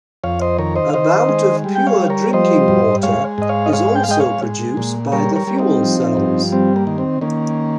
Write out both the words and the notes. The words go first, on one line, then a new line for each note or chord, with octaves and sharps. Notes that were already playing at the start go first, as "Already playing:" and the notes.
About of pure drinking water is also produced by the fuel cells.
F2 C#5 F5
C5 D#5
D#3 A#4 C#5
C5 D#5
F5
D#3 C5 D#5
G#3
G3
G5
C#5 F5
G3
A#4 C#5
F3 C5 D#5
G2
G#3 C#5 F5
G#2 D#5
C#5 F5
D#5
G#3 C#5 F5
G5
F5
G#3 D#5 G5
C#5 F5
G#3
A#2
G3 A#4 C#5
A#4 C#5
G3
C4 D#4
F3
G2
G3 C4
A#3
D#3
C4
D#3 A#3 C#4